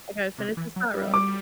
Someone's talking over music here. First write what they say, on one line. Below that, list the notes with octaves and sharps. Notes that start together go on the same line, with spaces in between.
“I gotta finish this pot roast.”
C3
E3
F#3
G3
D6